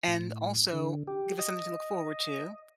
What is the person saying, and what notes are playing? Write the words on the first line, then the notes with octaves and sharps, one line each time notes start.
and also give us something to look forward to
A2
D3
G4
D#5